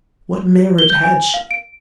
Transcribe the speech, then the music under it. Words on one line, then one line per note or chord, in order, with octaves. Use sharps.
What merit had she?
G7
G6
G#5
F5
D7